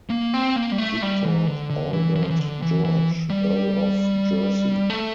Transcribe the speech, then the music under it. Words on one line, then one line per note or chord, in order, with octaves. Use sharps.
Victor Albert George, Earl of Jersey.
A#3
C4
A#3
G3
A3
G3
E3
D3
D3
E3
E3
F3
E3
D3
E3
E3
G3
A3